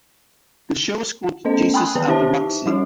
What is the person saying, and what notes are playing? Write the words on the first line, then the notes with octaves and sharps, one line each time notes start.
The show was called "Jesus At the Roxy".
A3 B3 C#4 A4 C5 D#5
G5 G#5 B5 C6 D#6 F#6
D#3 E3 B3 B4 G5
D4 E4 G4 C5 E5 A5
D#4
F3 G3 C#4 E4 F#4